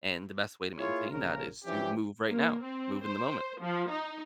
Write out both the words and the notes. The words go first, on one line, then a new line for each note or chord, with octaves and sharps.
and the best way to maintain that is to move right now, move in the moment.
A#3 E4 F4 G#4 C#5
A#1 C#3 A#4
E3 F3 C#4 D4 G4
A#3
C4
C5
F3
D#4